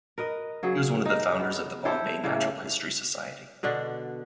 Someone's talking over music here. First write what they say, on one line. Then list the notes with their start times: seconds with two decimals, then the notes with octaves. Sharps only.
He was one of the founders of the Bombay Natural History Society.
0.18 A#4 B4 D#5
0.63 C#3 F#3 G#4
1.05 D#4 F5
1.40 B3
1.85 E4 G4 A4 C5
2.24 A2 C#3 A3 A#3
3.63 B2 D3 D4 F#4